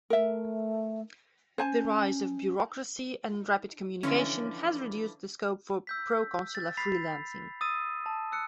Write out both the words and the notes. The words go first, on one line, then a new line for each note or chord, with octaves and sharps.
The rise of bureaucracy and rapid communication has reduced the scope for proconsular freelancing.
A3 A#4 E5
C#4 C5 G#5 A5
D3 E3 F3 C#4
E6 G6 B6
A6
B5 A6 B6 C7 F7
D#6 E6 A6 D#7
A5
E6 F#6 C#7